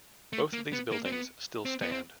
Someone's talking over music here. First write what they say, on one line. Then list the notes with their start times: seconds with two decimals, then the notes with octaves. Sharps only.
Both of these buildings still stand.
0.33 A3
0.53 A#3
0.73 B3
0.92 A#3
1.05 C4
1.12 B3
1.65 C4
1.82 B3
1.92 C4